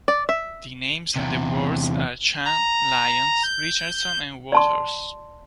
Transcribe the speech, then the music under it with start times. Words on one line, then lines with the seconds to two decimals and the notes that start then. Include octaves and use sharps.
The names of the wards are Chan, Lyons, Richardson, and Waters.
0.08 D5
0.29 E5
1.16 E2 C3
2.45 A#5
3.43 G6
4.52 D5 A5 C6